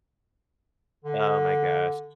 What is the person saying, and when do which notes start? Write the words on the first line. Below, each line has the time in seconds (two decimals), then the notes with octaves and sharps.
Oh my gosh.
1.04 D3